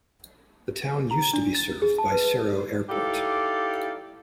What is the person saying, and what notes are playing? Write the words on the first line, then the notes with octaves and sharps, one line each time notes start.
The town used to be served by Serowe Airport.
A#5
D4
A6
G#4
A5
B4
D#4 E4 G4 A4 D5 F5